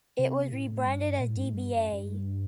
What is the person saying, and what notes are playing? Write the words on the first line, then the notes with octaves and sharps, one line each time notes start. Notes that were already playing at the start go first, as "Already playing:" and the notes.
It was rebranded as dba.
C3
A2
G2
A#2
A2
G2
A2
G2
F#2
F#2
G2